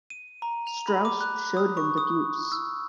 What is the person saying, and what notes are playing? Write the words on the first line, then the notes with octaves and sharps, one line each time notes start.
Straus showed him the deuce.
D#7
A#5
F7
B5
D6
F#6
D#6
C#6
D#6
E6